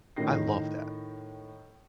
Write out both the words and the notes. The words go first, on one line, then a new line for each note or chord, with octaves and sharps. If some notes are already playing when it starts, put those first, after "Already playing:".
I love that.
A2 D#3 A#6 C7